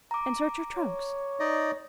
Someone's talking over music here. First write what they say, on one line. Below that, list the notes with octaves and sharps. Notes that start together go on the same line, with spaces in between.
"And search her trunks?"
A#5 D6
C#5
D#4 D5 D#5